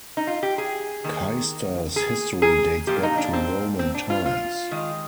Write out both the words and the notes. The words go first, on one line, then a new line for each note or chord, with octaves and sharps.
Caister's history dates back to Roman times.
D#4
F4
G4
G#4
D#3 A#3
G#4
G#4
A#2 F3 A#3 G4
D#4
D4
C4
C4
D4
F4
F4
D#3 G#3